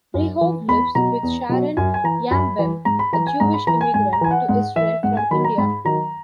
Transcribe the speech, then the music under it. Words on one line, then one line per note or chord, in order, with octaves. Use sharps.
Rehov lives with Sharon Yambem, a Jewish immigrant to Israel from India.
F#2
E3
E2 B5
B2 F#3 A#5
E2
B2 F#3
F#2 G#5
G#5
E3 A#5
F#2 B5
E3
G#2 A#5
B5
E3 A#5
G#5
G#2 A#5
B5
E3 A#5
G#5
G#2 G#5
A#5
E3 G#5
F#5
G#2 F#5
E3 E5
G#2 F#5
G#5
D#3 F#3 B5
A#5
G#2 B5
D#3 F#3 A#5